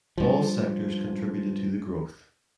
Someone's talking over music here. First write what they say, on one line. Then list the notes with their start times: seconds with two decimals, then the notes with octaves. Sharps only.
All sectors contributed to the growth.
0.18 G2 F3